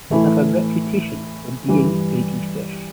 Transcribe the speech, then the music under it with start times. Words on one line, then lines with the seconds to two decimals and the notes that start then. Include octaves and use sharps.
They have a reputation for being greedy fish.
0.10 A2 E3 A3 E4
1.68 G2 E3 G3